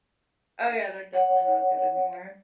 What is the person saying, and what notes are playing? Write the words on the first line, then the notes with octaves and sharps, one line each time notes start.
Oh yeah, they're definitely not as good anymore.
C#5 F#5